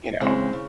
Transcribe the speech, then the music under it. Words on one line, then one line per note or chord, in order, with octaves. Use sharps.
You know?
D#2 C#3 E3 G#3 C4
C#3